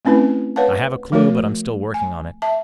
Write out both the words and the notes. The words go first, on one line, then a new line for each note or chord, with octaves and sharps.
I have a clue, but I'm still working on it.
A3 C4 C#4 E4 B4
B4 C#5 F5 F#5 A5
F3 A3 F#4 A#4 C#5
G#5
E5 A5